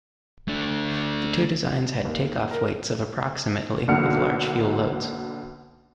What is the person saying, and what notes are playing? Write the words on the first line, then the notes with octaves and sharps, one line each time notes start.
The two designs had takeoff weights of approximately with large fuel loads.
A3 D4
D#2
A#4
B1 D3 A#3 F#4 F6 C#7